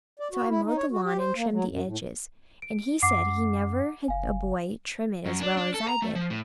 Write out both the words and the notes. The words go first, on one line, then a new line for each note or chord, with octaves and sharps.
So I mowed the lawn and trimmed the edges, and he said he never had a boy trim it as well as I did.
D5
F#4
E4
D#4
C#5
F#4
G4
C5
A#3
F#3
F#2
A2
D7
F#2 F#5 D6 C7
F#1 F5 G#5
F#2
D4
D4
A4
A#5
A3
F3
A2